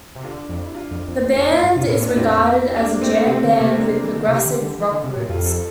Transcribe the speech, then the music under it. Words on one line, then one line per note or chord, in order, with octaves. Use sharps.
The band is regarded as a jam-band with progressive rock roots.
C3
D3 D4 F4
F2
E4
D4 F4
F2
F2
E2
F2
A#2
G2
C3 F4
A#2
A2 E4
A#2 D4
C4 E4
E4
A#3 D4
A3 C4
C3 A3 C4
D3
C3 A#3
C4
C3 A#3 D4
C3
E3
D3
C3 E4 G4
D3
D3
E3
D3
C3
A#2
F2 F4 A4
F4 A4